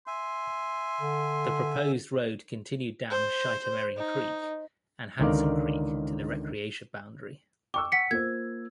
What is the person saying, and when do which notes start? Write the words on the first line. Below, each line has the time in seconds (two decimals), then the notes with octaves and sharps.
The proposed road continued down Shitamaring Creek and Hansen Creek to the recreation boundary.
0.07 E5 G#5 C6
1.01 D3
3.11 C5
3.97 D#4
5.19 C#2 D3 D#3 A#4 D5 F5
7.74 G5 C#6 D6 E6
7.92 F#5 B6 C#7
8.11 A#3 F4 C5 G#6